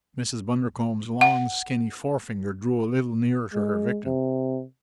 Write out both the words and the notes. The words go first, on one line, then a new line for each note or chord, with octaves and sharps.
Mrs. Bundercombe's long, skinny forefinger drew a little nearer to her victim.
F#5
G#3
C3